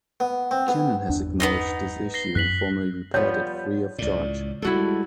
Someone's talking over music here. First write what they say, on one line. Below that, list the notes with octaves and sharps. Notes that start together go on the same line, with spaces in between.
Canon has acknowledged this issue and formerly repaired it free of charge.
B3
C4
B3
G1 E2 D4
B3 C4 D#4
A#6 C7 G7
F#2 F#6 B6 F#7
F3 G3 B3 C#5 G6
C#2 A2 D5
G3 G#3 E4 F#4 A4